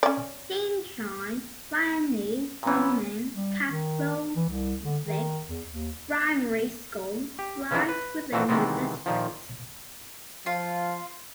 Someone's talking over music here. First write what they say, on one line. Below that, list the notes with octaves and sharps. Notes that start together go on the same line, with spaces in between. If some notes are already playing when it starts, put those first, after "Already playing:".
Saint John Vianney Roman Catholic Primary School lies within the district.
C#4 D5
A#2 E3 B3 C#4
G3
D#3
E3
C2
D3
D#3
E2
D#2
G4
C#3 E3 F3 C4 D#4 E4
B4
A#2 E3 F3 A3 C4 F#4
C3 D#3 E3 G#3 B3 C4
A#2 D#3 F3
F3 F4